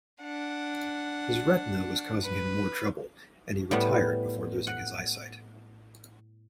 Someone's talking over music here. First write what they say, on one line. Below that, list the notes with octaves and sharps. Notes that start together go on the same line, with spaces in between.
His retina was causing him more trouble, and he retired before losing his eyesight.
D4 F#5
B4
A2 G3 B3
F#5